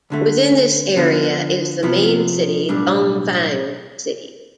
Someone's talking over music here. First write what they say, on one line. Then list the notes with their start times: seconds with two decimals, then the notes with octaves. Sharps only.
Within this area is the main city, Dongfang City.
0.10 D2 D3 A3
0.96 D3 F3 B3
1.83 C3 F3 B3 E4
2.69 B1 A2 G3 D4